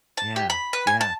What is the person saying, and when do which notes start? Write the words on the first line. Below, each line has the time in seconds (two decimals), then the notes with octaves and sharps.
Yeah, yeah.
0.17 A5
0.36 G4
0.50 B5
0.73 B4
0.87 G#5
1.01 A5